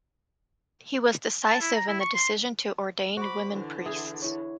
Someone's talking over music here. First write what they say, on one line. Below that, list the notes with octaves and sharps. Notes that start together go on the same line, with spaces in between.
He was decisive in the decision to ordain women priests.
A5
E4
A#5
E4
C#6
C6
F#4 C5 B5 D6
D3 E3
G#4 E5
E4 C#5